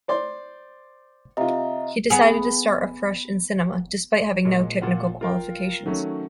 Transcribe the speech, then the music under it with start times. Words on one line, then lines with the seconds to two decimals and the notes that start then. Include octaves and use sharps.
He decided to start afresh in cinema, despite having no technical qualifications.
0.08 C5 D5 C6
1.37 C3 F4 D#5 E5 A#5
2.10 B3 G#4
4.45 A#2 G#3
4.81 A#2 F4 F#5
5.21 F4 A#4 F5 G5
5.86 D#3 F#3 A3 C#4